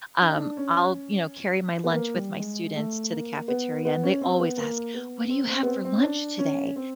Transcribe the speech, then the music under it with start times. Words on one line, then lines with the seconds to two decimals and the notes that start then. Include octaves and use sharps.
um, I'll, you know, carry my lunch with my students to the cafeteria, and they always ask, "What do you have for lunch today?"
0.21 D4
0.30 D#4
0.38 D4
0.57 C#4
1.84 B3
1.90 A#3
2.15 G3
2.39 G#3
2.76 A3
3.11 A#3
3.48 B3
3.85 B3
4.03 C#4
4.21 C4
4.40 B3
4.57 A#3
4.94 B3
5.30 C4
5.49 C4
5.63 B3
5.67 C4
5.85 C4
5.98 C#4
6.03 D4
6.39 C#4
6.76 C4